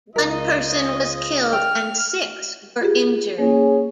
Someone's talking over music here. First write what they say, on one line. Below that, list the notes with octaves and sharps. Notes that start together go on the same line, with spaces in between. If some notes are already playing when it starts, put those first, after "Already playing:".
One person was killed and six were injured.
C#2 F4 A#4 D#5
G5 F6
F4 G4 G#4
A#3 C#4 G#4 C#5